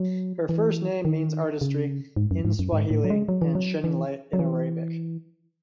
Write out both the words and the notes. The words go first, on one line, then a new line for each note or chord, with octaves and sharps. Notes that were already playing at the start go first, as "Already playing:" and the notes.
Her first name means "artistry" in Swahili and "shining light" in Arabic.
Already playing: F#3
E3
D#3
C#3
G#2
F#2
G#2
F#2
G#2
A2
F#3
G#3
F#3
E3
F#3
E3
F#3
E3